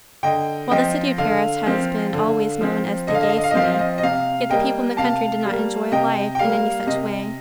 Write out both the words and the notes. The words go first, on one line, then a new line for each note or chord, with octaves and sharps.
While the city of Paris has been always known as the Gay City, yet the people in the country did not enjoy life in any such way.
D3 D#5 G5
F3 C4 D#5 G5
D3 F5
F3 C4
D3
F3 C4
D3 D#5
F5
D#5
F5
D#5
F5
D#5
F3 C4 F5
D#5
F5
D#5
D#5
C3 F5
G3 A#3 D#5 G5
C3 F5 A5
G3 A#3
C3 D#5 G5
G5
G3 A#3 F5
C3 D#5